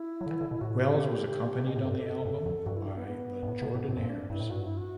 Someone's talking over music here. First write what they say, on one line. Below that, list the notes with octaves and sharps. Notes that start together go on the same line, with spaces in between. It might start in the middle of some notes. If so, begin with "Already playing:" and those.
Wells was accompanied on the album by the Jordanaires.
Already playing: E4
F#3
D3
E3
D3
B2
A2 F#4
G4
C3
B2
A2
G2 A4
G2
F#2
G2 F#4
E4
D4
B3
B3
G2
A2
C3
A2
A2 C4
F#2
G2
D4
G2 E4
A2
G2 F#4
E4
F#4